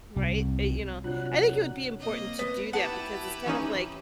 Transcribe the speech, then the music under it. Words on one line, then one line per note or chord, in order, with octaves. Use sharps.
Right, uh, you know, I think it would be important to do that because it's kind of like,
C2
C3 F#3 D4 F4 C#5 F#6
A#3 C4 D#5
B3
E4 G4 B4 F#5 A5
E3 C#4 D#4